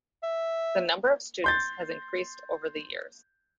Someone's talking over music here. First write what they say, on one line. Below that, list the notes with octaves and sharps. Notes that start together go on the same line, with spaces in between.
The number of students has increased over the years.
E5
C6 G6 A6